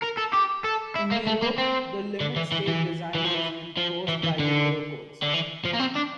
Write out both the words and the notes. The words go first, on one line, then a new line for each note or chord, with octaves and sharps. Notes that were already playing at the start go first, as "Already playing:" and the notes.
In Europe, the Limit State Design is enforced by the Eurocodes.
A#4
A4
G4
A4
E4
A#3
A3
A#3
C4
D3
E3
E3
E3
E3
F3
E3
F3
E3
E3
D3
D3
E3
F3
A#3
C4
D4